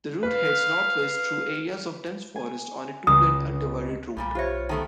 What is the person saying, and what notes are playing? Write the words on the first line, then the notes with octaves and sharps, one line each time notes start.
The route heads northwest through areas of dense forest on a two-lane undivided road.
B4 F5
G#5
C#2 D#6
B1 G2 A#2 G3
F4 G4 C5 C#5 E5
D#3 A3 B3 G5 A5